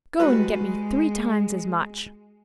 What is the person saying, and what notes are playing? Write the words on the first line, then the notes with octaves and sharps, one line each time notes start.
Go and get me three times as much!'
G3 G#3 F#4 B4